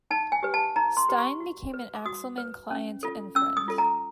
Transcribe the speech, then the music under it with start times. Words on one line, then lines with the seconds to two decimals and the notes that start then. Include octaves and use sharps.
Stein became an Axelman client and friend.
0.11 D#4 A5
0.32 G#5
0.43 G4 B4
0.54 A5
0.76 D#4 A#5
0.97 C6
1.09 G4 B4
1.19 C#6
1.40 F#4
1.74 B4
1.95 D6
2.06 F#4 D#6
2.38 B4
2.71 C#4
3.03 F4 A4
3.35 C#4 E6
3.57 D#6
3.68 F4 A4
3.78 A#5